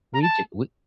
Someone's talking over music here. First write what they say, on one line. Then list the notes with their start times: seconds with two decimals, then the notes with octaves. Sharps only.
We ju we
0.14 A#5
0.22 A5